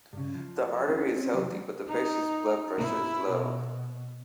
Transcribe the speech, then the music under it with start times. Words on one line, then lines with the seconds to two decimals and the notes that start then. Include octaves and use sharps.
The artery is healthy but the patient's blood pressure is low.
0.13 G2 C#3
0.35 F3
0.87 D#2 C#4 E4 G#4 C5
1.16 C4 C#4
1.33 C2 F2 E3 F#3 B3
1.88 D#4
2.77 E4
3.30 B2